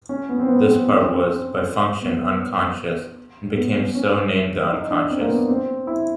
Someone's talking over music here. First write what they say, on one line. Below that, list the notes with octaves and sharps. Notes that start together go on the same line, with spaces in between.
This part was, by function, unconscious, and became so named the Unconscious.
C#4
B3
C4
B3
C4
B3
C4
C#4
C4
B3
B3
C#4
C#4
D#4
D4
C4
A#3
B3
C4
E4